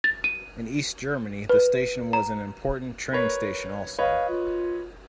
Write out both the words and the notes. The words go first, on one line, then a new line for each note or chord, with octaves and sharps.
In East Germany the station was an important train station also.
A6
D#7
B4
A#5
A#4 B4 C#5
B4 C#5 D#5 F5
F4